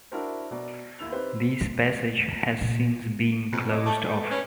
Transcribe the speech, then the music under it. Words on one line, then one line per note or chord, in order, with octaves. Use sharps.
This passage has since been closed off.
D4 E4 F#4 A#4 C5
B2 D5 A#5
D#2 E4 E6 F7
C4 D#4 G4 B4 C5
A3
A#2
F2 B2
C#5 D#5 D6
A3 A5
G#5 G6
B3
C#4 B4 C#5